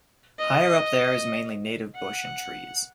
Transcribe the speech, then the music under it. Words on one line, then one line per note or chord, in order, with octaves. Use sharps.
Higher up there is mainly native bush and trees.
D#5
F#5